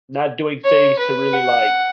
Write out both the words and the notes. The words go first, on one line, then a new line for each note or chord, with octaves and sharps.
not doing things to really, like,
C#5
B4
F#5